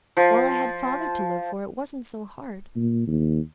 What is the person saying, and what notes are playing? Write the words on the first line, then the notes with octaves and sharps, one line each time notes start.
While I had Father to live for it wasn't so hard.
F3
A#2
D#2